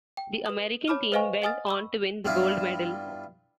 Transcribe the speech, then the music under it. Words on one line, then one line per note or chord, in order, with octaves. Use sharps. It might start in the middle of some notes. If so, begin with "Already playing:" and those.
The American team went on to win the gold medal.
G5
B4 D#6
C#5 A5 B5 D6 F6
B4 C5 D#5 F5 G#5 C#6
D#5 F#5 G#5 D#6 F6 A6
B5 C#6 E6
G2 G3 B3 D4 E4 F4